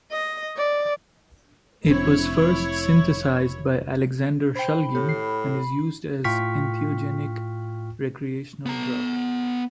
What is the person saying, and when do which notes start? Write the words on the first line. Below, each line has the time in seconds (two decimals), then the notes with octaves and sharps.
It was first synthesized by Alexander Shulgin and is used as entheogenic recreational drug.
0.11 D#5
0.57 D5
1.87 F1 C4 E4 C#5
4.55 C5 G5 B5
4.95 A2 G4
5.09 C7
6.24 A2 F4 G5 C#6 F6 B6
8.66 B3 A#5